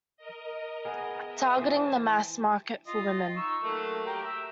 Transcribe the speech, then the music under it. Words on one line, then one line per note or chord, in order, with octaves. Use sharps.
Targeting the mass market for women.
A#4 D#5
B3 G#4
E5 D#6
E3 C5 A5
F4 D#5
D#4 C#6 E6
F#3 A3 A#3
G4 A#4 G5
E5